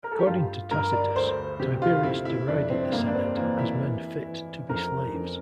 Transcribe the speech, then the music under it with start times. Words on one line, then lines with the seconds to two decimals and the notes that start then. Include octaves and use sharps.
According to Tacitus, Tiberius derided the Senate as men fit to be slaves.
0.04 A#4
0.12 A4
0.19 G4
0.26 G2 F4
0.71 G2 A#4
0.93 D5
1.15 D2 C5
1.60 C3 G4
1.82 F4
2.03 C3 E4
2.25 E4
2.48 F2 D4
2.70 C4
2.92 G2 A#3
3.06 D4
3.15 C4
3.36 E3 A#3
3.59 E4
3.81 E3
4.26 E3
4.69 F2 A#4
5.14 F2